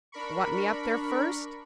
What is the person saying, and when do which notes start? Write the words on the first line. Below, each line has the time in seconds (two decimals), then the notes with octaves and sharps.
"Want me up there first?"
0.12 D4 A#4 B5 C#6